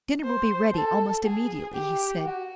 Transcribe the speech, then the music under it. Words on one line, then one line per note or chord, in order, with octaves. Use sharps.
"Dinner will be ready almost immediately," he said.
C5
A4
G#4
G4
F#4